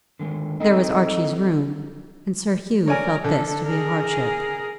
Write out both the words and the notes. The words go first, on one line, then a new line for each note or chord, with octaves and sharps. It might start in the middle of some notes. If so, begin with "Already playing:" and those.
But there was Archie's room, and Sir Hugh felt this to be a hardship.
D3 D#3 G#3
C4 D#4 A4 D#5
A#4 C#5 D5 G#5
D3 A4
G#4 A#4